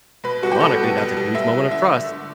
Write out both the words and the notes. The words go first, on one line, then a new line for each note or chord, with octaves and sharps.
ironically, that's a huge moment of trust.
B2 B4
G3 B3 F#4
G4
B2 A4
G3 B3
B2
G3 B3
B2 E5
G3 B3
D3 E5
A3
D3